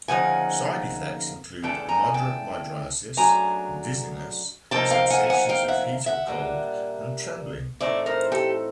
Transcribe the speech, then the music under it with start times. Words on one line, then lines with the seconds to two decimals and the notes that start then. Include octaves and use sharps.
Side effects include moderate mydriasis, dizziness, sensations of heat or cold, and trembling.
0.08 D2 C#3 F3 A#3 D#4 F#5 G#5
1.62 E2 C#3 E3 A3 D4 G5 A5
1.89 G#5 A#5
2.14 G5 A5
3.17 C#3 F#3 A3 D4 G#5 A#5
4.71 C3 F3 A#3 D#4 G5 A5
4.91 F5 G5
5.10 F#5 G#5
5.30 F#5 G#5
5.49 F5 G5
5.68 E5 F#5
6.06 E5 F#5
6.27 A#2 G3 A#3 D4
7.80 A2 E3 A3 C4 D#4 D5 E5
8.06 A#4 C5
8.32 G4 A4